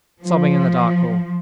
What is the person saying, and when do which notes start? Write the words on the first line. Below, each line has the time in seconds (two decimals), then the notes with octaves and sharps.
Sobbing in the dark hall.
0.22 F3